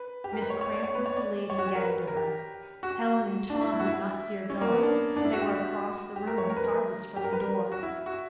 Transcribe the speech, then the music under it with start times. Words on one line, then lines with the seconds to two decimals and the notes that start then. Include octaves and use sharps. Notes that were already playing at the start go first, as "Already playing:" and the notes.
Miss Cramp was delayed in getting to her; Helen and Tom did not see her go, for they were across the room and farthest from the door.
Already playing: B4
0.24 G4
0.33 A#4
0.41 B4
0.50 C#5
0.61 C#5
0.72 D5
0.84 C#5
0.95 B4
1.06 C#5
1.17 D5
1.50 C#5
1.59 F#4
1.67 G4
1.75 A#4
1.84 B4
2.07 A#4
2.17 G4
2.83 F#4
3.50 D4
3.61 E4
3.72 E4
3.79 F#4
3.87 E4
4.50 C#4
4.61 A#3
4.72 B3
4.83 D4
5.17 D4
5.25 E4
5.33 F#4
5.41 G4
5.49 F#4
6.16 G4
6.27 A#4
6.38 C#5
6.50 A#4
6.57 B4
6.64 A#4
7.16 G4
7.24 A#4
7.33 B4
7.41 A#4
7.72 F#4
7.83 E4
8.06 F#4